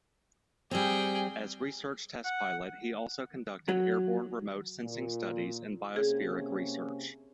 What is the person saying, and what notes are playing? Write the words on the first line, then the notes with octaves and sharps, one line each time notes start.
As research test pilot he also conducted airborne remote sensing studies in biospheric research.
G3 C4 G#4 G5
F#5
F#3
A#2
C3 A#3 C#4 G#4